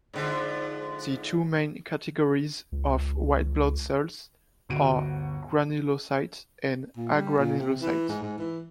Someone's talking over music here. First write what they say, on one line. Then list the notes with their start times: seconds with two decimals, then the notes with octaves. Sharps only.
The two main categories of white blood cells are granulocytes and agranulocytes.
0.13 G#2 D3 F3
2.72 C#2
4.69 G1 D2 F#4 D7 D#7
6.96 A#2
7.13 G3
7.38 A#2
7.58 C3
7.81 E3
8.09 G#2
8.22 G#2
8.38 E3